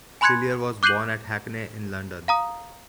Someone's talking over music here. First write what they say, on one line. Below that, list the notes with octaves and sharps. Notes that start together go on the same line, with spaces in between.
Cellier was born at Hackney, in London.
G#5 B5 C6 F#6 G#6 C#7
D6 F#6 G6 C7 D#7 F#7
F5 A#5 D#6